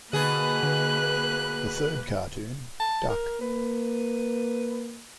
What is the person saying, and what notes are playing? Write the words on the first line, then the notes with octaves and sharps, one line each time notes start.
The third cartoon, Duck!
B2 D3 A#3 G#4 B4 F#6
D3
A5
A#4
A#3 B4